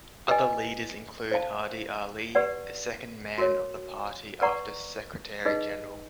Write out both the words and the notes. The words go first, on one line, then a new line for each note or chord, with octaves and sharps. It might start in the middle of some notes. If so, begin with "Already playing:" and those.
Other leaders include Hadi Ali, the second man of the party after secretary general.
G4 B4 D#5 G#5
C5 F5 A5
G4 B4 D5 F#5
F#4 A#4 C#5
B4 D5 F#5 A#5 C#6
D#4 G#4 B4 D#5